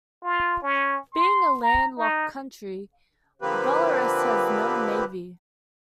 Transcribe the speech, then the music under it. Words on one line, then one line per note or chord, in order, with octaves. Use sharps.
Being a landlocked country, Belarus has no navy.
F4
C#4
C6
A#5
D#4
D3 F3 A#3 C4 G4 B4